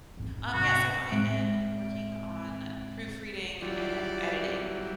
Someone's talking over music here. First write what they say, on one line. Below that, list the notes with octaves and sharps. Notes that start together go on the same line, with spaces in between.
Um, yeah, so I am working on proofreading and editing,
G#2 C4
G#2 C3 F#4
A2 G#3 C4 E5 D7
E3 F#3 G3 F4 D5